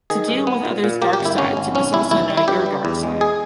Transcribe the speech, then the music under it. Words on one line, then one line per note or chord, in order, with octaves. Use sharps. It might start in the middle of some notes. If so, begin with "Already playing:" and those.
To deal with others' dark sides, you must also know your dark side.
D#3 G#4
G2
B3
A#2
A#2
A#3 G4
G4
G1
E4
G#1 C#4
G#1
B1 C#4
B1 E4
D#2 E4
G3
E4
G2 G4
G3
E2
G#3
G#4